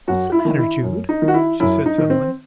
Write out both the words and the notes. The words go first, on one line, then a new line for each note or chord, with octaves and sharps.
"What's the matter, Jude?" she said suddenly.
F#2 F#4
E4
D#3
E4
F#2
D#4
D#3
F#4
E4
F#2 E4
D#4
D#3
C4